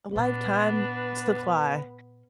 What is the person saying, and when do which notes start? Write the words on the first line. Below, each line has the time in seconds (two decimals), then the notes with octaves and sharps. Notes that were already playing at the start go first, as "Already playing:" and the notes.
A lifetime supply.
0.16 A#2 B3 C#4 D4 B4